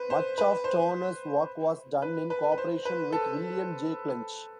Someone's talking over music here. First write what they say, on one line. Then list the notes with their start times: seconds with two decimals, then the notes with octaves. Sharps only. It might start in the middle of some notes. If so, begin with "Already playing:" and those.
Much of Turner's work was done in co-operation with William J. Clench.
Already playing: B4 C5
0.10 C5
0.38 B4
0.64 C5
2.02 B4
2.30 B4
2.52 B4
2.58 C5
2.85 B4
3.13 A4